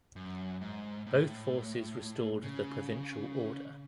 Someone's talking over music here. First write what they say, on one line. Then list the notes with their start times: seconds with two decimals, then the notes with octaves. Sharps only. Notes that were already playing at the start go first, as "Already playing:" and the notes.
Both forces restored the provincial order.
0.16 F#2
0.61 G#2
1.07 A2
2.43 C#3